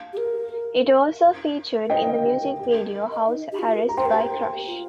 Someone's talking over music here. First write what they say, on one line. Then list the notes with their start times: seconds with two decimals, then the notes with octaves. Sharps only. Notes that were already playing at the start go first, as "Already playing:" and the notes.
It also featured in the music video "House Arrest" by Krush.
Already playing: F5
0.13 G4
0.17 A#4
1.85 A#4
1.90 C5 D#5 G5
2.08 A#4
2.24 G4
2.42 A#4
2.59 G4
2.76 A#4
2.94 A#4
3.12 D#5
3.28 D#4
3.52 G4
3.59 F4
3.67 G4
3.75 A#4
3.89 A#5
3.97 C5 G5 C6
4.06 A#4
4.13 G4
4.20 A#4
4.32 G4
4.67 F4